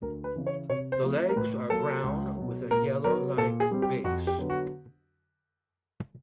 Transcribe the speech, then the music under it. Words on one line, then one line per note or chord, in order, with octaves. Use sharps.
The legs are brown with a yellow like base.
D2 A#4
B4
C#3 E3
C#5
C3 C#5
C5
F3 A3 C4
A#4
A2 B4
F#3 A#3 A4
C#2
B2 F#3
A#2 A#4
F#3 B3 A#4
A#2 A4
G#4
G3 C4
G4
F2 F#4
G4
D3 F#3 B3
F#4